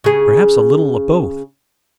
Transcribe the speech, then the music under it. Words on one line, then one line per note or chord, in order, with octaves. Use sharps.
Perhaps a little of both.
C#3 G#4